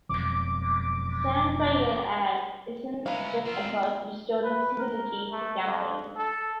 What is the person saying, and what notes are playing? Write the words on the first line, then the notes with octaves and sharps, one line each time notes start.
"Stand by your ad" isn't just about restoring civility to campaigns.
E1 F2 F#3 D6
G#3 C#4 B4 E5 F5 A#5
C4 E4 F4
B4
A#4
A3
F2
A4